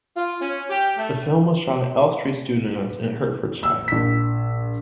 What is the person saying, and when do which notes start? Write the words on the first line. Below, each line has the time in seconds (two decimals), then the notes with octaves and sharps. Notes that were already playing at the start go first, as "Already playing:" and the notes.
The film was shot at Elstree Studios in Hertfordshire.
0.16 F4
0.42 C#4
0.70 G4
0.97 A3
3.63 E6
3.88 A#1 B6